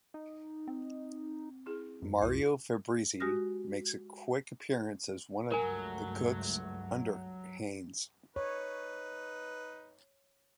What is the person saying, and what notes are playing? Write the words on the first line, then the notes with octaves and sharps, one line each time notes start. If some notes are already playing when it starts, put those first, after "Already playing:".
Mario Fabrizi makes a quick appearance as one of the cooks under Haines.
D#4
C4
E4 G#4
F#2
C2 E4 F4
G#3 F#4 G4 D#6 F6 A#6
C#2 G2 F#3 A3 A#4 G#5
D#4 B4 C#5